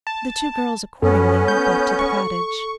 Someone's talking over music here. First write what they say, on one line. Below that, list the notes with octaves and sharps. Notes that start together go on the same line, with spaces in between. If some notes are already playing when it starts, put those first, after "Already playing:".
The two girls accordingly went back to the cottage.
A5
F#2 B3 C#4 A4
G6
C#6